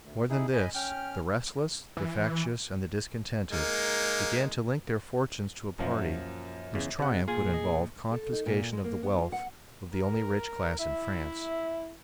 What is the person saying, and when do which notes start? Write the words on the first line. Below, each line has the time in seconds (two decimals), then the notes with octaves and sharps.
More than this, the restless, the factious, and the discontented, began to link their fortunes to a party whose triumph would involve confiscation of the wealth of the only rich class in France.
0.04 D2
0.29 D#4 E4 G#4
0.53 D#5 G#5 B5
0.75 C#4 G5 F6
1.97 E3
3.52 G#3 A#3 D#4
5.79 F#2 A#2 F3 F#3
6.74 E2 C#3
6.99 C3 F#5
7.28 A#2 F4 G#4 G#5
7.54 D#5
8.11 A4
8.32 D#4
8.46 A#2
8.72 G#3
8.84 A#3
9.03 B3
9.18 F4
9.32 F#5
9.93 A#4
10.80 E4 E5